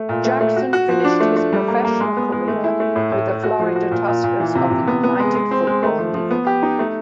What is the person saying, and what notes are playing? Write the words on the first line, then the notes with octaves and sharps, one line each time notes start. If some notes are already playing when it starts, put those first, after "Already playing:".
Jackson finished his professional career with the Florida Tuskers of the United Football League.
Already playing: A3
A#2
A3
A3
F#4
F#4
F3
D4
A3
A3
G3
A#3
A#3
G#3
B3
G#3
A3
E4
A3
A2
A2
A3
F#4
F3
F#4
A#2
A#2
A#2
E3
C3
C3
B3
B3
G#3
G#3
C4
G#3
A3
F3
F3
B3
G4
D#4
A3